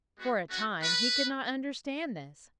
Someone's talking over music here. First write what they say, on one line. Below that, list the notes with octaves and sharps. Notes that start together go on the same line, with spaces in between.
For a time he could not understand this.
G#3 B3 F#4
A3 C#4 F#4
A3 D4 F#4 B4